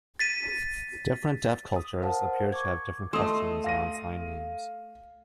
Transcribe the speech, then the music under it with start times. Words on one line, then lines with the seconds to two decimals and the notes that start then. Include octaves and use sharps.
Different deaf cultures appear to have different customs around sign names.
0.19 A6 B6 D#7
1.76 D#6
2.02 A#4 C5 F5 F#5 A5
2.52 C#6 D6 G#6
3.13 A3 D#5 C6 D#6
3.64 F5 A#6 D#7